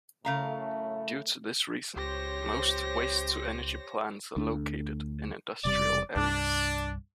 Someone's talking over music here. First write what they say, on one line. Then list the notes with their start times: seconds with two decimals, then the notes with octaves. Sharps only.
Due to this reason, most waste-to-energy plants are located in industrial areas.
0.25 F#2 A2 C#3 A3 F5 A#5
1.96 C#2 G4 C5 C#5 A#6
4.36 D2 A3 D4
5.65 E1 C3 G3 D5
6.16 C2 G2 D4